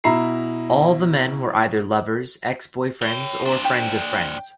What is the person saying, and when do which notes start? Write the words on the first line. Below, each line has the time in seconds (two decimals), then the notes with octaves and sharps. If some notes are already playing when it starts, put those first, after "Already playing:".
All the men were either lovers, ex-boyfriends, or friends of friends.
0.04 B2 E4 E5 A#5 B5 C7
3.02 C#5 G5
3.46 D4 C5
3.64 G5